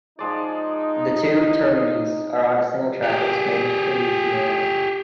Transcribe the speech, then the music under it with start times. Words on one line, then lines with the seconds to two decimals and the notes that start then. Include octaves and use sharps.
The two terminis are on a single track with a Spanish solution layout.
0.19 F3 G#3 D#4 D5
3.03 G4 G#4